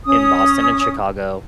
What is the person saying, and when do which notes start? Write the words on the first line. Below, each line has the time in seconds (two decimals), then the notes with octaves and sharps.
in Boston and Chicago,
0.05 C#4 D#6